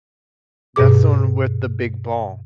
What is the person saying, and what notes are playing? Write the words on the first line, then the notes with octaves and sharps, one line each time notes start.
that's the one with the big ball
G2 B2 G#4 D6